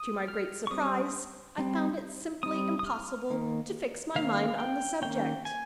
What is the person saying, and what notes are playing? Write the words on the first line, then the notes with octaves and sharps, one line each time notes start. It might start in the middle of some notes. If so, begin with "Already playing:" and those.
To my great surprise, I found it simply impossible to fix my mind on the subject.
Already playing: D#6
F6
C#6
G3 C4 D#6
G3 C4
G3 C4 D#6
D#6
F6
D#3 A#3
D#3 A#3 C#4 F5
G5
D#3 A#3 C#4 G5
G#5